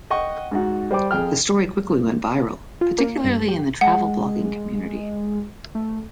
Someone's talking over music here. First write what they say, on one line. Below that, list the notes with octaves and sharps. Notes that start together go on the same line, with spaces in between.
The story quickly went viral, particularly in the travel blogging community.
D#5 F#5 G5 C#6
G#2 D#4 F#4
G3 C5 G5 D6
F2 G#4 G5 F6
F4
A#3
G2
G4
G#3 F#5
A3